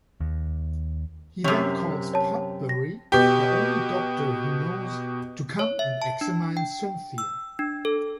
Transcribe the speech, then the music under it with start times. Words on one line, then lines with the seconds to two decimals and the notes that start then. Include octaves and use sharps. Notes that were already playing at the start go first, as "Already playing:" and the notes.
He then calls Potbury, the only doctor he knows, to come and examine Cynthia.
0.20 D#2
1.44 F#2 C3 C#5 C#6
2.14 C#5 A5
2.69 A#6
3.12 B2 G4
5.59 C#5
5.79 E5
6.02 A5
6.21 D4
6.57 G5
7.18 E6
7.59 D4
7.85 A4